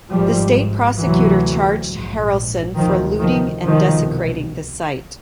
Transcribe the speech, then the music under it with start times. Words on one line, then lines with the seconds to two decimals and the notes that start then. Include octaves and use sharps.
The state prosecutor charged Harelson for looting and desecrating the site.
0.10 G#1 G#2 F3 G3
0.99 D2 C3 E3 F#3
1.87 A#1 G#2
2.76 D2 C3 D#3 F3
3.20 D#3 F3
3.64 C2 B2 D#3 F3